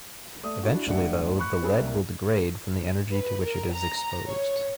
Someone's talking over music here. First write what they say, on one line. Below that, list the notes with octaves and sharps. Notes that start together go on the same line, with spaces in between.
Eventually though, the lead will degrade from the energy to which it is exposed.
A3 D5 D#6
D4 E4 F#4
D1 G2 D5 E5 F#5 C#7
B5 C#6 F#6 C#7
B3 C#4 G#4 A4 B5
C2 A#3
B4
A#4
A#5
C#5